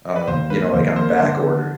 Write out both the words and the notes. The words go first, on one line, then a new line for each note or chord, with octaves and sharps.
um, you know, like, on back order.
B4
D#2 C5
A#3 B4
D#2 C5
A#3 C5
D3
D3